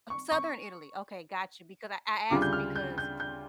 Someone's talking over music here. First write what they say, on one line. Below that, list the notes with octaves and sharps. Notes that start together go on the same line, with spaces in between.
Southern Italy. Okay, gotcha, because I I asked because
C#6
C#6
D2 C#3 G3 D4 F4 D6
G6
F6
G6
G6
G6